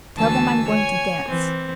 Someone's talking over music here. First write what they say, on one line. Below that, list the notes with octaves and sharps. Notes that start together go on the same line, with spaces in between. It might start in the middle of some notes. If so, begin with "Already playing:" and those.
Tell them I'm going to dance.
D2 E3 G#5 A5 E6
C#5 G#5
E3 C4